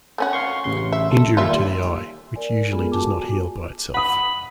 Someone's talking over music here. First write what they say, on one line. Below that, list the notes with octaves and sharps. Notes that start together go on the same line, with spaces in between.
Injury to the eye, which usually does not heal by itself.
A3 C#4 F#4
F5 C6 C#6
A1 C#3 C6
E5
A4
D#2 A#2 G3 F4 E5
A#4 D5 G#5
G#3 B3 F4 G#4 A4
F4 F#4 G#5 A5 D6
F#5 B5 D#6